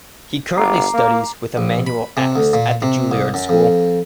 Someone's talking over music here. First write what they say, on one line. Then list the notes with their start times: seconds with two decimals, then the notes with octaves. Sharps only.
He currently studies with Emanuel Ax at the Juilliard School.
0.57 G1 A#5 D6 C7
0.94 A#3
1.57 A#1
1.87 B5
2.17 C3
2.36 D2
2.53 A#2
2.82 C3
3.11 C2
3.34 F#2
3.49 F2